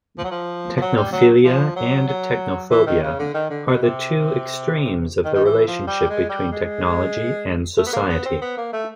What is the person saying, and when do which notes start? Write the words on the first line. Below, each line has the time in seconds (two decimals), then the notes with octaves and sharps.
Technophilia and technophobia are the two extremes of the relationship between technology and society.
0.18 F3
0.24 F#3
0.31 F3
0.77 F3
0.82 F#3
0.97 G3
1.13 F#3
1.45 F3
1.76 F#3
2.08 F#3
2.71 E3
2.86 D#3
3.03 C#3
3.19 D3
3.34 D#3
3.50 D3
3.66 B2
3.82 C3
5.24 D#3
5.35 D#3
5.45 E3
5.67 F3
5.87 G3
6.10 G#3
6.30 G3
6.52 G#3
7.78 A3
7.87 B3
7.93 A#3
8.09 B3
8.25 C4
8.42 B3
8.57 A#3
8.73 A3